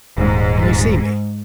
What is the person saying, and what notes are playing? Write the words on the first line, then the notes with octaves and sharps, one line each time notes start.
"Can you see me?"
D#1 G#2